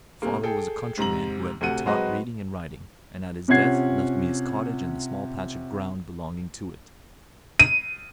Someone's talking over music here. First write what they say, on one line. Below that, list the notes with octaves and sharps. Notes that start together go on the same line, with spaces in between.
My father was a countryman who had me taught reading and writing, and at his death left me his cottage and the small patch of ground belonging to it.
C3 A3 A#3
G#4 A4 G5
G#2 C3 A#5 F#7
D2 C3 A4 F#5 D#7
F#3 G#3 C4 F#4 B4 D#5
C3 C#4 F4 F#5 G#6 C7
D#7